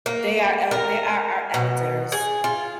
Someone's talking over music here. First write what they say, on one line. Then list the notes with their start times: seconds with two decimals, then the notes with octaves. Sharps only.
they are el they are our elders,
0.06 A#3
0.71 A#4
1.54 B2
2.12 G#4
2.44 F4